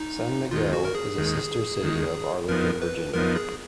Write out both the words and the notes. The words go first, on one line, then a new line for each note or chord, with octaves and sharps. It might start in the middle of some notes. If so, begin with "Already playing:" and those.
San Miguel is a sister city of Arlington, Virginia.
Already playing: D#4
D#2 D#3 G#3 F4
F#4
A#4
G#4
D#2 D#3 G#3
D#2 D#3 G#3
F2 F3 B3 D#4 A#4
B4
F2 F3 B3 D#4 A#4
G#4